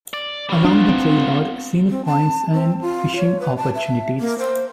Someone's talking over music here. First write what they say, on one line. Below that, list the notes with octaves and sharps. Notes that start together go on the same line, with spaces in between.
Along the trail are scenic points and fishing opportunities.
D5
G3 C#4
B3 D4 F4
C4
C4
A5
C4
F4
C#5
B4
A5
E5
A#3
C5